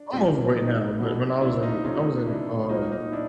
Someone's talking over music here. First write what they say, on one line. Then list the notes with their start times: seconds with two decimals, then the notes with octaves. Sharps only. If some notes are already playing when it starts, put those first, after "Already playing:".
I'm overweight now, but when I was in I was in, um,
Already playing: D4
0.12 A#2 G3 C4
0.56 D#4
0.99 B2 F#3 B3
1.41 D4 E4
1.63 D#4 F4
1.84 C3 F3 A3 C#4 D#4 F4
2.27 D4 E4
2.69 A#2 F#3 A#3 D#4
2.92 D#4
3.12 D4 E4